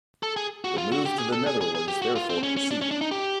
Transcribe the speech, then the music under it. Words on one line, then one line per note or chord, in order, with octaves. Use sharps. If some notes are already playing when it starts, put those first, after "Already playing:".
The move to the Netherlands therefore proceeded.
A4
G#4
F#4
F4
F#4
G4
G#4
A4
G#4
G#4
G#4
G4
F#4
F4
C4
C#4
C#4
D4
C#4
D4
D#4
G4